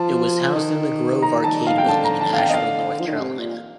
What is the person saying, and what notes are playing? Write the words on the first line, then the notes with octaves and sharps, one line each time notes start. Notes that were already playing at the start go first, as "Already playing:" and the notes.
It was housed in the Grove Arcade Building in Asheville, North Carolina.
Already playing: F3 A5
D#3
A#5
A5
F5
G5
C3
D3 A5
A#5
A5
F5
G5
D#5
F5
F3
D#3
D3
C3
A#2